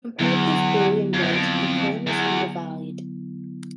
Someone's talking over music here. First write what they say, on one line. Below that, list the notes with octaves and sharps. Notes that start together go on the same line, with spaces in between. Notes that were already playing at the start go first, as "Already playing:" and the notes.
Compared to its bullion weight, the coin was undervalued.
E2 D3 F#3 B3 E4
F2
F#2
F2
E2